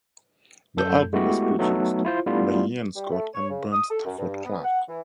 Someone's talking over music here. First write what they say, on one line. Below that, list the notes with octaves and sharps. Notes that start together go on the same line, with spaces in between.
The album was produced by Iain Scott and Bunt Stafford Clark.
F#2 A4 G6
G#3 A3 B3 E4 F#4 G4
F#3 A3 B3 D#4 A4
E4 F4 C5
G3 A3 B3 D4 E4 F4
G3
A3
C#5
C#3
D#6
A4
F#2
G2
B3
F#5
E3